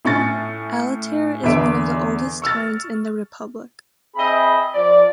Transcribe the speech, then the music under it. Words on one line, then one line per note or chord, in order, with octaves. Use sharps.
Alatyr is one of the oldest towns in the republic.
A2 C#4 C#6 A6
E2 D3 B4 E5 D7
C#6 E6 F6 A6
C4 G#4 D#5 E5 G5 B5
F3 D5